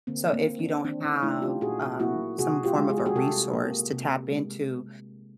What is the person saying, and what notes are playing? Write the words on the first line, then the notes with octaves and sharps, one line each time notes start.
so, if you don't have, um, some form of a resource to tap into,
D3 A#3 C4
A#3 C4
A#3
C4 D4
D#3 C4 D4
C#4 D#4
A3 D4 E4
F4 G4
A#2 F#4 G#4
A#3 E4 F#4
C3 F#4 G#4
F4 G4
G#3
G#4
G4
F#4 G#4
C3 G4 A4
A#3
C3
G#3